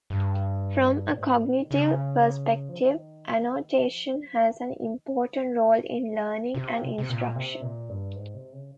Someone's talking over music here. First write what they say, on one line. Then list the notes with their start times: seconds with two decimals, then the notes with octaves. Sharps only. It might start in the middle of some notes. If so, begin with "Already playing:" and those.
From a cognitive perspective annotation has an important role in learning and instruction.
0.10 G2
1.09 A#2
1.17 G#2
1.44 A#2
1.60 D#3
1.71 C#3
2.69 F3
2.79 D#3
3.86 F3
4.04 G3
4.22 F3
4.40 D#3
5.48 C#3
6.55 C3
6.98 C3
7.09 A#2
7.35 C3
7.62 A#2
7.89 G2
8.15 G#2
8.34 C3
8.52 C#3